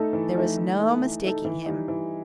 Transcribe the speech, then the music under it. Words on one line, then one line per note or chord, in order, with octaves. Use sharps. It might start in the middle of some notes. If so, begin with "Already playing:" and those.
There was no mistaking him.
Already playing: A3 D#4 A4
E3
A3 D#4 A4
E3
A3 D#4 A4
E3
A3 D#4 A4
E3
G3 D#4
E3